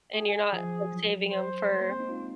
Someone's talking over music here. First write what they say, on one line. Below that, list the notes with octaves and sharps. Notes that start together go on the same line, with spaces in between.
and you're not, like, saving 'em for
G#4
F3
F#3
C5
G#3 C5
A#3
C4
D#4
F4